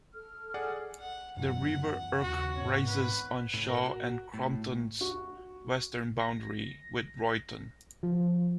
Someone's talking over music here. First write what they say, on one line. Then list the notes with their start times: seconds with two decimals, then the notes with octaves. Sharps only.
The River Irk rises on Shaw and Crompton's western boundary with Royton.
0.14 A4 F6
0.54 G#4 D5 F#5
0.99 F#5
1.37 F#2 E3 B3 F#5
2.23 D#2 C#3 F#4
2.57 G#2 B3 C4 C#5
2.88 B4
3.54 A2
3.69 A#4
3.82 F#4
4.34 A2
5.01 F#4
6.20 A#6
8.03 F3